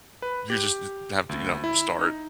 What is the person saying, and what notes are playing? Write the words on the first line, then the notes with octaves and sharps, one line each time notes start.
You just st have to, you know, start
B4
G4
D2
E4
D#4